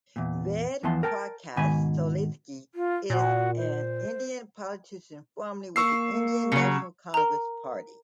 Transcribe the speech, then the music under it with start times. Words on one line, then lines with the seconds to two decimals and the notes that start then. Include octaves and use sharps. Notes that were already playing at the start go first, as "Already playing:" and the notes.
Ved Prakash Solanki is an Indian politician formerly with the Indian National Congress party.
0.16 E2 A#2
0.83 E2 E3 F3 B3 A5 C6
1.03 A#4 G5 A5
1.56 G#2 B2 D#3 G#5 B5
2.75 F4
3.10 A#2 F#4
3.57 C5
5.76 A#3 C#6 E6 C7
6.13 A#3
6.52 C#3 F#3
7.14 A#4 A#5